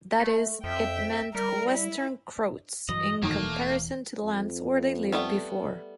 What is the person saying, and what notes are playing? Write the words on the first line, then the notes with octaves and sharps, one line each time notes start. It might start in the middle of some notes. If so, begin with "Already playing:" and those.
That is, it meant "Western Croats", in comparison to lands where they lived before.
A3
F2 E5 G5
G3 A#4
E4
G2 E3 F#3 D#5
E1 F#2 B2 D#3 E3 A3 A#3
F2
G3 A3 B3